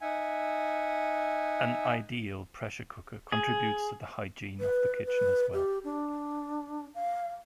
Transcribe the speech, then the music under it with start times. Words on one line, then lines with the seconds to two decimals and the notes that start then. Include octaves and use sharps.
An ideal pressure cooker contributes to the hygiene of the kitchen as well.
0.01 D#4 E5 F#5 G#5
3.32 G#4
4.60 B4
5.06 B4
5.53 G4
5.84 D4
6.95 F5